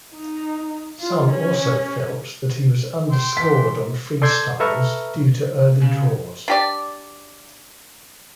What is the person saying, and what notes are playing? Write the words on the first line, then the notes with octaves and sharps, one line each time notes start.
Some also felt that he was underscored on freestyles due to early draws.
D#4
F4
C#4
G5 C6
E3 B6
A4 D5 A5 C6 G6 G#6
A4 B4 E5 A#5 C#6 F6
C#3
D4 G4 D5